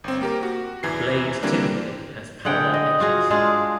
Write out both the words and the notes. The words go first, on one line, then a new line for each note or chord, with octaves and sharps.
The blade typically has parallel edges.
G1 C4
A#3 G4 A#4
F#4
E2 E3 C7
D3 E3 G3 A#3 C4 D4
D3 G#4 F#5 G5
D#5
F4 F#4 G#4
G#3 D4 F4 G#4